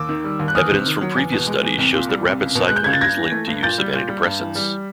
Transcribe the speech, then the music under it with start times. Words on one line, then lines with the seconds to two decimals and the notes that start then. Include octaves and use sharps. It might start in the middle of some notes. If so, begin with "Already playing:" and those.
Evidence from previous studies shows that rapid cycling is linked to use of antidepressants.
Already playing: D#2 D6 E6
0.09 D#3
0.24 G3
0.40 D#2
0.48 F#6
0.55 E2 D#6 F6
0.71 C3
0.86 D#3
1.01 F#3
1.16 E2
1.32 B2
1.47 G#3
1.63 E2
1.78 C2
1.93 A#2
2.09 G3
2.25 C2
2.40 C#2
2.55 B2
2.68 G#3 F#6
2.76 G6
2.84 C#2 G#6
2.93 A6
3.01 G2 G#6 A#6
3.17 E3
3.32 A3
3.47 G2
3.63 A#2 G6 A6
3.78 G3
3.94 A#2
4.08 G3
4.24 G2
4.40 E3
4.55 G3